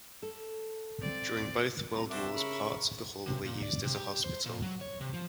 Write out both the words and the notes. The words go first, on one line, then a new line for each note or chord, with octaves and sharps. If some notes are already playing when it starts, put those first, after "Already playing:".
During both World Wars, parts of the hall were used as a hospital.
A4
C4 D5
C2 A#5
D4 F#4 C5 E5
C#3 A#4 B5 C#6
C3
A#2
D5
C3
G4
C5
A#2
F#3
C#5
C3
F3